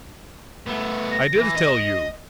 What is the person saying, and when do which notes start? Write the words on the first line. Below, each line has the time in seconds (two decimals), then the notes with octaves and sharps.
I did tell you.
0.67 A3 B3
1.12 A#6
1.36 E3
1.55 D#5